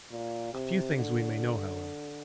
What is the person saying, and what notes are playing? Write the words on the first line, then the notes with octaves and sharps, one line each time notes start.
A few things we may know, however.
A#2
C3
D3